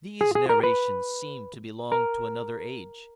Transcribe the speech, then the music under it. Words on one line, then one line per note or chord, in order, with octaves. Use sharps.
These narrations seemed to belong to another age.
G#4
G#4
A#4
B4
A#4